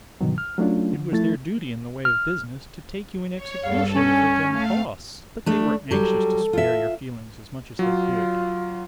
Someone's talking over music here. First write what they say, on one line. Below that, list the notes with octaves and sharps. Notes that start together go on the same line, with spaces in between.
It was their duty in the way of business, to take you in execution for them costs; but they were anxious to spare your feelings as much as they could.
G2 B2 D3 D#3 F#3
F6
F#3 A3 C#4 D4 F4
D3
F3 A3 E4 A6
F6
C#5
E2 G2 A4 F5
C#4
A3 F5
A3 D4
F#3 G3 A4
F4 E5
F#3 F4